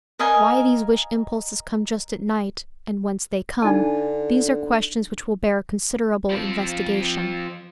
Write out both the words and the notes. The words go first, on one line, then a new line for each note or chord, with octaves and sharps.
Why these wish-impulses come just at night, and whence they come--these are questions which will bear considerable investigation.
A#4 D#5 F5 G#5
D3 D4 D#4 A5
F3 C4